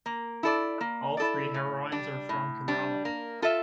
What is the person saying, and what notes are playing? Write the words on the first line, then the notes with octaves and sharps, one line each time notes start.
All three heroines are from Kerala.
A#3
E4 A4 D5
A#3
E4 A4 D5
A2
G3 D4
A2
G3 D4
A#3
F4 A4 E5